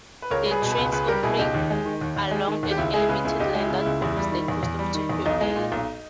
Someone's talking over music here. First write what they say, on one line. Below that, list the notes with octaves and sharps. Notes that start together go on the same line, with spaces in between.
The trains operate along an elevated line that follows the coast of Tokyo Bay.
B4
C#2 A#4 C#5
G3
G#4 B4
B2
G#4 B4
C#2
C#2 G#4 B4
G3 G4 A#4
B2 E4 G#4
C#2 D#4 G4
D#2
G#3
D#3
D#2
D#2
G#3
D#3
D#2
G4
C#2 E4
G#3 E4 G#4
C#3 G#4 B4
C#2 E4 G#4
C#2 D#4 G4
G#3 E4
C#3
C#2 E4
E2 E4
G3
D#3
E2
E2
G3
D#3
E2
B1 D#4
G#3
A#2
B1